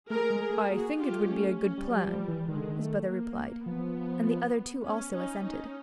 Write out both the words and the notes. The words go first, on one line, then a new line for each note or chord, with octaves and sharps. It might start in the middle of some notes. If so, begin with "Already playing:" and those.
"I think it would be a good plan," his brother replied; and the other two also assented.
A3 G#4 A#4
G#3
G#4 A#4
A3
A#3 F#4 G#4
F4 G4
A3
G#3
A3 C#4
C#4
G3
F#3 G3
F3
E3
D#3 G#3
D3
D#3
A3
A#3
F3 B3
C#4
C#4 D#4
C#4 D#4